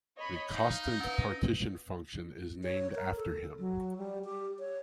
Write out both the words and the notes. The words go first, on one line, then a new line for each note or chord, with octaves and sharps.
The Kostant partition function is named after him.
C#5 D#5 B5
D#4 F5 G6
C#4 B4
C#5
A#4
A4
F#3
G3
G4
C#5